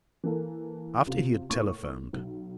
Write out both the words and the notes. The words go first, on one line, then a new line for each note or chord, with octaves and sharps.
After he had telephoned.
E3 A#3 A4 A#4
C3 F4
A2 A#3 C#6
B1